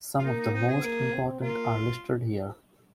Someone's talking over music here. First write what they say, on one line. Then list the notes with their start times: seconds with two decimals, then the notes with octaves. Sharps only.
Some of the most important are listed here.
0.19 F4
0.24 A#3 D#4
0.39 D#4
0.53 C4 D#4
0.68 G#4
0.82 A#3
1.12 C4
1.41 A#3 F4